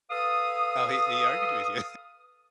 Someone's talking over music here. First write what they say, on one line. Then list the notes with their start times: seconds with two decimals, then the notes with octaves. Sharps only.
Oh, he he argued with you.
0.11 A4 B4 F5 D#6